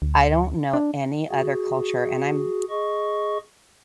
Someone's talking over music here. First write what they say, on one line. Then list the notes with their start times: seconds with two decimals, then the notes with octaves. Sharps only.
I don't know any other culture and I'm
0.02 D2
0.74 D4
1.30 F#4 G#4
2.70 G#4 D#5 C#6